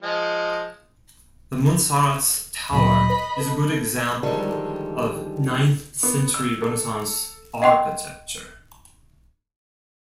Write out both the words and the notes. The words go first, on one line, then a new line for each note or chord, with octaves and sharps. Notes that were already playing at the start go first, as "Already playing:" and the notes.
The Muntsaratz Tower is a good example of ninth century Renaissance architecture.
F3 G#3 D#5
D2 A#2 F#3 D#5 B5
B4
A4
D3 D#3 F3 G3 G#3 A4
B3
E6
A4
D#5 F#5 G5 C6